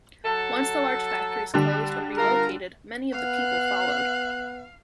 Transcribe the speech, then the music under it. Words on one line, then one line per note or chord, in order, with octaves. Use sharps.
Once the large factories closed or relocated, many of the people followed.
F#3 A4
D3 G3 D4
F4 A#4
B3 F5 F#6